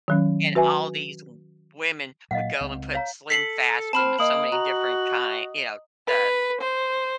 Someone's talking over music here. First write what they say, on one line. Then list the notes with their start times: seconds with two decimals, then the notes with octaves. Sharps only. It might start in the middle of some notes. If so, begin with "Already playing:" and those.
And all these w women would go and put SlimFast in so many different kind you know, the
0.08 D#3 F#3 C#4
0.55 F#4 B4 E5 G#5
2.31 A#2 F#3 D#5 F5 F#5
2.61 C#2 C4
2.93 C#5 F5 A#5
3.30 A4 B6 C7 F#7
3.93 C4 C5 A5 B5 F6
4.19 A#3 D#5 D#6 F#7
4.52 F#4 A#5
6.06 B4
6.60 C5